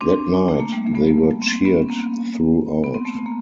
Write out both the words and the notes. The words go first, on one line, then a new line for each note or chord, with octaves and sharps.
That night, they were cheered throughout.
C4 D4
A3
A#3
G3 A3
A#3
A3 B3
A#3 C4
B3 C#4
A#3 C4
B3
C4
A3 B3
A#3